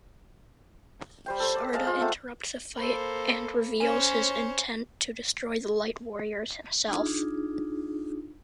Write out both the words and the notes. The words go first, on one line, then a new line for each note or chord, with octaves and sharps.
Sarda interrupts the fight and reveals his intent to destroy the Light Warriors himself.
G3 C5 G5
A4 C5
D5
G#3 F5 A5
F4
A3 A4 F#5 G5
A#3 A4 C5 B5
C#4 C5 C#5 G#5 E7
D4 D#4 F4 G#4